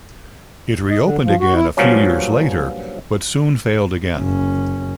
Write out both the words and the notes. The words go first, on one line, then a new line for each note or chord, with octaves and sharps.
It reopened again a few years later but soon failed again.
D#5
D3
F3
F#4
E4
G2 A#2 F3 F#3 C#4
F#1 C#4